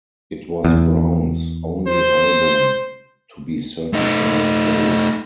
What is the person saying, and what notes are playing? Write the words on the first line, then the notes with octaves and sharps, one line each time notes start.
It was Brown's only album to be certified gold.
E2
C5
A3 D#4